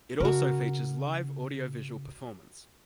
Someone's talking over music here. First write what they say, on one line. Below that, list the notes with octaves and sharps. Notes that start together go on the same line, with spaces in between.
It also features live audiovisual performance.
C#3 F#4 A#4